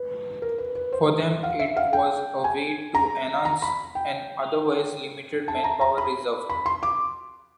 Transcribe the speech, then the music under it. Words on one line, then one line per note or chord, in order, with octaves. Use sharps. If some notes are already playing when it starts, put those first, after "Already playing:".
For them it was a way to enhance an otherwise limited manpower reserve.
Already playing: B4
A#4
B4
B4
C5
F5
E5
F5
G5
G#5
A#5
A#5
B5
G5
A5
A#5
A#5
B5
B5
C6
D6